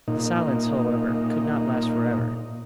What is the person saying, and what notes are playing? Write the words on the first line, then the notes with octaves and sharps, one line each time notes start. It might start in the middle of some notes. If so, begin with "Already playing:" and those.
The silence, however, could not last forever.
A#2 D#4